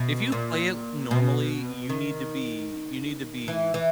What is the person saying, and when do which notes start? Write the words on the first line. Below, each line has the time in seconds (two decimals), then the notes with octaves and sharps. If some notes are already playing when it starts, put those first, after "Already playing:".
If you play it normally, you need to be you need to be
Already playing: B2
0.32 A#2
1.11 B2
1.90 D#3
3.48 E3
3.74 E3